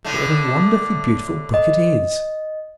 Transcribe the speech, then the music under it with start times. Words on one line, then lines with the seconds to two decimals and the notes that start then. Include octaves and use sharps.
But what a wonderfully beautiful book it is!
0.05 A2 D3 A3
1.54 D#5